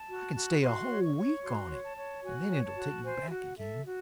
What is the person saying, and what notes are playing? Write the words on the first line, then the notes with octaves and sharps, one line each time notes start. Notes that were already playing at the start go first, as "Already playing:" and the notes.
I can stay a whole week on it, and then it'll take me back again.
Already playing: A5
F#4
F#4
F#4 C6
C#5
C#6
C#5
F#4 C6
C#5
A5
C#5
F#4 G#5
C#5
A5
F#4
C5 G#5
E5
F#4 F#5
A4 E5
F#4